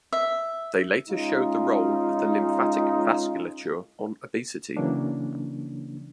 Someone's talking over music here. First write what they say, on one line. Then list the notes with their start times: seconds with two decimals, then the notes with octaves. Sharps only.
They later showed the role of the lymphatic vasculature on obesity.
0.13 E5
1.09 G#3 C#4 D#4 F4
4.77 C#3 E3 F#3 A#3 C#4 D4